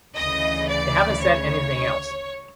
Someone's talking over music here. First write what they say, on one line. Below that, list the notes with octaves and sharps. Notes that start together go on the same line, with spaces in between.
They haven’t said anything else.
D2 C#3 E3 D#5
D5
C#5